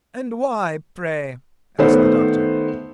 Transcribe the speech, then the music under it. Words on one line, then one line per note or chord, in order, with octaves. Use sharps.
"And why, pray?" asked the Doctor.
D#3 A3 B3 C5